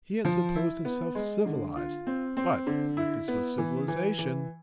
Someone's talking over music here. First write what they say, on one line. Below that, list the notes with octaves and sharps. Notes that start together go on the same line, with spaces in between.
He had supposed himself civilised; but if this was civilisation--!
F3
E4
B3
G#3
D3
F4
C4
C4
D3
E4
B3
E3
E3
E3